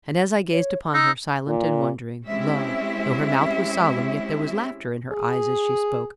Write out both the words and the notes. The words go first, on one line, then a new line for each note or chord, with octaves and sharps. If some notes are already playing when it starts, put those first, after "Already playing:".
And, as I gazed upon her, silent and wondering, lo! though her mouth was solemn yet there was laughter in her eyes as she spoke.
C#5
D#4 E6
A#2
G#3 C4 C#4 E4 G4 E5
G#4